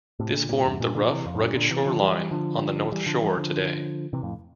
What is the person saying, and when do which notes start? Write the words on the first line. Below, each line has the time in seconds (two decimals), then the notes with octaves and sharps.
This formed the rough, rugged shoreline on the North Shore today.
0.20 A2 C3
0.34 A#2 D3
0.49 G2 A#2
0.64 E2 G2
0.80 G2 A#2
0.95 A#2 D3
1.05 F3
1.10 C3 E3
1.26 F2
1.35 A2
1.40 G2 A#2
1.55 A#2 D3
1.71 C3 E3
1.86 D3 F3
2.01 E3 G3
2.31 D3 F3
2.92 E3 G3
3.06 D3 F3
3.22 E3 G3
3.37 D3 F3
4.13 C3 E3
4.23 F2 A2